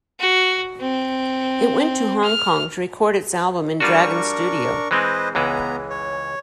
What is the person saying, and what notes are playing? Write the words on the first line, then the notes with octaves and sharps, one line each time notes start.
It went to Hong Kong to record its album in Dragon Studio.
F#4
C4
F6
G3 D4 F4 F#4 A#4 C#6
E3 G#3 C4 B4 C5 D#5
C#2 E3 G#3 B3 A#5
C#5